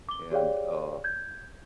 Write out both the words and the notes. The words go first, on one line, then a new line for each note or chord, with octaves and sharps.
and, uh,
D6 G7
G4 G#4 C#5 D5 F5 G5
G6 G#6